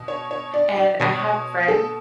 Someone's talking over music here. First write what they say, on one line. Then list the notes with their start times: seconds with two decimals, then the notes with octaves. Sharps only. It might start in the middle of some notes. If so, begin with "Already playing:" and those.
and I have friends
Already playing: B2
0.08 C#5
0.31 C#5
0.54 D5
0.76 D5
1.00 B2 C#5
1.68 A4